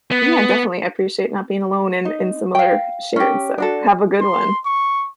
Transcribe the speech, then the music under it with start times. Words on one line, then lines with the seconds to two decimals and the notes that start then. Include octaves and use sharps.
Yeah, definitely, I appreciate not being alone in in similar shared, so have a good one.
0.11 B3
2.05 D#4
2.55 F5 G5
3.16 C#4 G4
3.58 D4 F#4 A4
4.21 C6
4.65 C#6